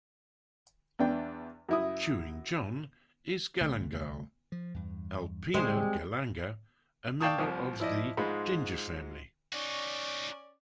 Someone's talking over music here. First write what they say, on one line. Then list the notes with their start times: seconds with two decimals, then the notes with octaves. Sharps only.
"Chewing John" is galangal, "Alpinia galanga" - a member of the ginger family.
0.99 E2 B3 D4 G5
1.69 F#2 E4 D#6
3.61 C2 D3 A3
4.52 F3
4.74 E2 G2
5.54 D#1 C#3 G3 G#3 C4
7.21 D5 F5 G5 A5 C#6 D#6
7.38 C2 F3
7.80 F3 E4 D5 D#5
8.17 G#2 G#3 F4 B5
9.53 C#4 D#4 F#4 D5